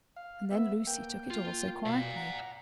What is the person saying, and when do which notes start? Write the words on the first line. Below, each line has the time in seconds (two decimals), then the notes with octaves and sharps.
And then Lucy took it all so quietly.
0.17 F5
0.51 B3 E5
0.87 A#3 G5
1.31 F4
1.86 B2 D5 F5
2.16 F#5 A#5